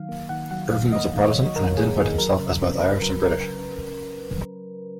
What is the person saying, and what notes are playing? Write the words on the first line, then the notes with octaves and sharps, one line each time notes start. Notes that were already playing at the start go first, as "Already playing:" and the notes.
Ervine was a Protestant and identified himself as both Irish and British.
Already playing: D#3 F#3 F5
A#3
D#3 F#5
F#3 F#5
D#3 F5
A#3 D#5
D#3
C#5
F#3
D#3 A#4
A#3 G#4
D#3 G#4
F#3 A#4
C#3
C#4
C#3 B4
F#3 A#4
C#3 A#4